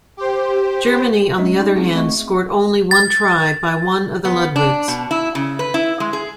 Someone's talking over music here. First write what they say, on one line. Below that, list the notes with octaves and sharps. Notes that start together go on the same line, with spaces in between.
Germany, on the other hand, scored only one try, by one of the Ludwigs.
G4 C5
G#3 C#4 D4 D#5
D#4
C4 F4 G#4
A3 C4 D#5 E5 C#6
A6
B3
D4
B2
E4
C#3
B4
E4
G#3
G#4